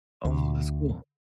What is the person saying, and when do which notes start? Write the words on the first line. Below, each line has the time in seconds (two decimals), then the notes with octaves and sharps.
Oh, that's cool.
0.25 D2